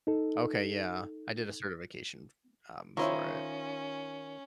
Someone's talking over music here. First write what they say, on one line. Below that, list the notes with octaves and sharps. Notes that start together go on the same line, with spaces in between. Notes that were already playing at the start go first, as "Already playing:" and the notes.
Okay, yeah. I did a certification f um, for it.
D#4 A4
D#3 C#4 E4 F4 C5 C#5